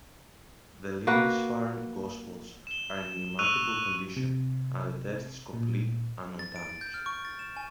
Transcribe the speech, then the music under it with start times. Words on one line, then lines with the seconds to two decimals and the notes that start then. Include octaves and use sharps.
The Lindisfarne Gospels are in remarkable condition and the text is complete and undamaged.
1.07 A#3 F#4 B4
2.67 E7 G7
3.39 C#6 E6 F#6 D#7 F7
4.17 C3
5.53 A#2
6.39 A6
6.56 D7
6.69 A6
6.81 G6
6.94 F6
7.06 C#6
7.25 A6
7.39 E7
7.57 G#5